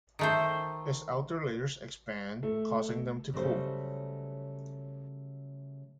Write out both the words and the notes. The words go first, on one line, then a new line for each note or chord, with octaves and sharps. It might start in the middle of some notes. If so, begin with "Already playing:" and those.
Its outer layers expand, causing them to cool.
D#3 A3 C5
A3
C#3 F#3 G3 A3 C5